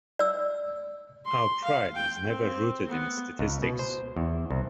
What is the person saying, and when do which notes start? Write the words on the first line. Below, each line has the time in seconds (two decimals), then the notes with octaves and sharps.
Our pride was never rooted in statistics.
0.19 D5 E6
1.25 C6
1.64 F5
1.95 G5
2.27 C4
2.88 B3
3.39 C#2
3.62 B2
3.79 C5
4.16 E2
4.51 C2